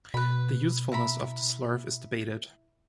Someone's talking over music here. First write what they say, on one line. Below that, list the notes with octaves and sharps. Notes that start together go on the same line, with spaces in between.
The usefulness of the slurve is debated.
B2 B4 B5
E4 A#5 B5